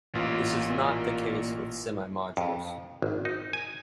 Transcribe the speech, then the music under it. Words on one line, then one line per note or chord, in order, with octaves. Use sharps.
This is not the case with semimodules.
A1 A#2 F4
F2
G#1
D#4
G#5